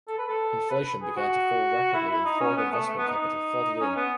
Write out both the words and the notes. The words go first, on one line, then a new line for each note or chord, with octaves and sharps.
Inflation began to fall rapidly and foreign investment capital flooded in.
A4
B4
A4
B4
G#4
F#4
E4
E4
D#4
C#4
B3
A3
A3
B3
D#4
C#4
B3